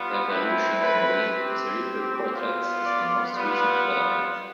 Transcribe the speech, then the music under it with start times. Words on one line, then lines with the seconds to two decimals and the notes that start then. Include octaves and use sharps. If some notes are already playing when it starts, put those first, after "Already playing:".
Evolutionarily, the cerebral cortex is the most recent development.
Already playing: G3 B3 F4
0.27 A3 C4 E4 B4
0.79 B4
1.30 C4 G4
2.32 B3 F4
2.84 D5
3.35 G3 B3 F4 B4